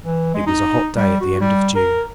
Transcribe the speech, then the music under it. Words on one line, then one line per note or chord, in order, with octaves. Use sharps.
It was a hot day at the end of June.
E3
G#3
D#4
G3
F#4
G3
A#4